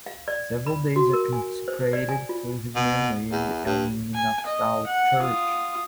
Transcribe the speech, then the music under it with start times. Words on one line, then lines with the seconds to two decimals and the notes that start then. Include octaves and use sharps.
Several days are consecrated to his memory in the Armenian Apostolic Church.
0.06 F5
0.28 D5
0.66 B5
0.96 F#4
1.13 A#4
1.33 G#5
1.68 C5
1.93 D5
2.09 G#5
2.29 F4
2.75 B2
3.31 E2
3.66 G2
4.15 G#5
4.46 D#5
4.87 F#5
5.19 F4 D#6